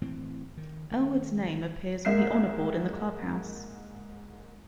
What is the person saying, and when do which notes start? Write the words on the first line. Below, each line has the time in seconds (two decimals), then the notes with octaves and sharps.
Ellwood's name appears on the honour board in the clubhouse.
0.02 A2 E3 C4
0.57 D#3
0.91 D#3 A3
2.05 G#2 G#3 A#3 E5 G6 C7